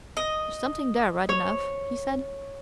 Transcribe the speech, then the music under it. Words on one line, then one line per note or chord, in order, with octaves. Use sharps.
"There's something there right enough," he said.
D#5
C#5